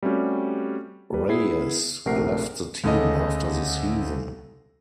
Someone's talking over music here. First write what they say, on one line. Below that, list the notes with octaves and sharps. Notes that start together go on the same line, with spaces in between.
Reyes left the team after the season.
G3 A3 C4 C#4 F#4 G4
G3 B4
B3 E4 G#4 C7
A#1 C3 A3 A#4 F#5 C7
D2 C#3 A4 D#5